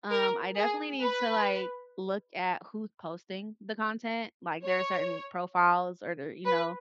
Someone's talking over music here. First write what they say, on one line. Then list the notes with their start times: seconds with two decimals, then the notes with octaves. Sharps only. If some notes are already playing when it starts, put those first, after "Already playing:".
um, I definitely need to, like, look at who's posting the content, like, there are certain profiles or, there you know
0.10 A#4
0.56 G#4
1.02 B4
4.64 C#5
6.45 B4